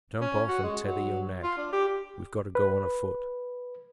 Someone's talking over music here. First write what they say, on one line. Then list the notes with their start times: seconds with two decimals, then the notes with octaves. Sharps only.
Jump off and tether your nag. We've got to go on afoot.
0.21 C#4
0.49 F#4
0.63 G#3
0.87 F#3
1.43 F4
1.58 D4
1.73 G4
2.55 B4